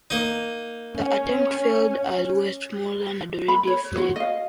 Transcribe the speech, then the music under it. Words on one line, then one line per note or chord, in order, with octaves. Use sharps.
The attempt failed, as Westmorland had already fled.
A#3 D#4
C#4
B5
C#5
F#4 C#5
D#5 F5